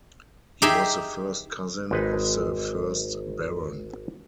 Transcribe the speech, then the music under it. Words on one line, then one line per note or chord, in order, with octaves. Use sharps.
He was the first cousin of the first Baron.
D#4 G4 G#4 E5
G#1 G#3 D#4 B4